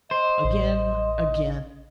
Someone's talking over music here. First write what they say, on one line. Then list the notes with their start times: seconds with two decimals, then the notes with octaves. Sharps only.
Again! again!
0.11 C5 D#5
0.44 A1